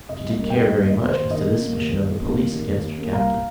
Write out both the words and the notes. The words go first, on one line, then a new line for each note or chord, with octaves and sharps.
But she did care very much as to this mission of the police against her Captain.
C3 D#5
C2
D#5
A#3
G3 D#5 G5
D#2 D#5
D#2 D#5
D#2
C5
D#2
D#3 D#5
A#3
A#3
D#2
D#2
D#2
A#3
D#2
D#3
D#2
D#2
A#3
C2 F5 A#5